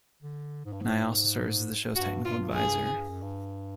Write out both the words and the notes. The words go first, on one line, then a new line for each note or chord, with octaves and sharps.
Nye also serves as the show's technical advisor.
D3
G#2
G2
G#2
G2 F#4
G2 F4
G2 G#4
G#2
G2
F#2
G2